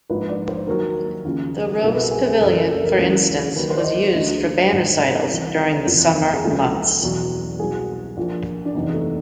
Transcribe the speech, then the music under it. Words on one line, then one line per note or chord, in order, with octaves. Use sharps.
The Rose Pavilion, for instance, was used for band recitals during the summer months.
A#1 G#2 F3 B4
D5
C5
D#2 D#3 F#3 A#4
D#2 C#3 F3
C2 B2 F#3 A#4
B4
A#4
G#4
G#4
F#1 F#2 C#3 E3 A4
A#4
A4
A#4
C#2 C#3 E3
D#2 D#3 F#3 B4
C5
D5
D#5
D2 D3 F#3 D#5
G#1 G#2 D#3
C2 C3 E3
F#1 E2 C3 F3
G#4
C#2 C#3 F3 A4
E2 B2 F#3
C2 B2 F#3 G#4
A#1 A#2 F3
D4
F#1 E2 C3 E3 D#4
A3